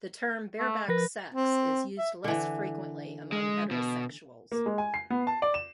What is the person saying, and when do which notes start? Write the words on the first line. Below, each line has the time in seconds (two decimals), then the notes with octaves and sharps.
The term "bareback sex" is used less frequently among heterosexuals.
0.59 A3
0.88 F3 A#4 B4 A#6
1.35 C4
1.99 E5
2.24 D3 E3
3.32 G#3
3.71 B2
4.52 A#3
4.66 G#3
4.78 G#5
4.94 C7
5.10 B3
5.27 A5
5.42 D5
5.54 E7